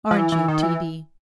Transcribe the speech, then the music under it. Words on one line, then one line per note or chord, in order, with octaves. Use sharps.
Aren't you, T. D.?
F3
E3
E3
D#3
E3